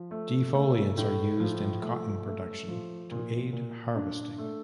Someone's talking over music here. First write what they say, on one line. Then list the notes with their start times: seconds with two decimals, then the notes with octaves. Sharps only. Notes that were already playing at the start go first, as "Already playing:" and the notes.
Defoliants are used in cotton production to aid harvesting.
Already playing: F3
0.11 A3
0.54 A3
0.97 A2
1.40 F3
1.82 A3
2.26 A3
2.68 F3
3.11 A#2
3.53 A#2
3.96 D4
4.38 A3